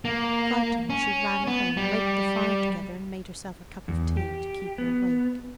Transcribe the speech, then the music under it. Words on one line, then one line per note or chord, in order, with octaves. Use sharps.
Frightened, she ran home, raked the fire together, and made herself a cup of tea to keep her awake.
A#3
C#4
B3
G3
E2
G4
B3